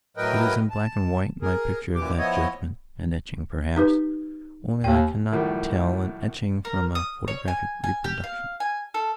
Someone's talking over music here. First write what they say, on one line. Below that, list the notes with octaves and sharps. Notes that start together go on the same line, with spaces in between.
It is in black and white, my picture of that judgement, an etching, perhaps; only I cannot tell an etching from a photographic reproduction.
A2 F#3 A#4 B4 D#5 G5
A5
G#4 A#4
F#2 A#2 E3 G4 D6
F3 B3 E4 C#5 D#5
D#4 G4 B4
D#2 G5
F#2 A2 D#3 F3 G3
A#4
D#6
C#5
G#5
G#5
G4
F5
G#5
A4